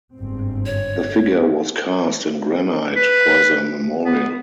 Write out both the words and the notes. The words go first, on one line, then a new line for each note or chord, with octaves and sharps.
The figure was cast in granite for the memorial.
G1 G#2 C4
C#5
B4
B3